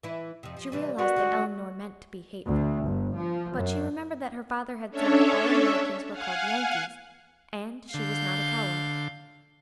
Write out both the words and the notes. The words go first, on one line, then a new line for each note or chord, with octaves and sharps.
She realized that Elinor meant to be hateful; but she remembered that her father had said that all Americans were called "Yankees," and she was not a coward.
E3 E4
F2 C3
F3
C3 E3 G3
B3 F#4 A#4 D5
D3 G3 G#3
D2
G1
F3
F#2
C#4 D4 A4 C#5 E5
F5 F#5 G#5
D3 F5 G6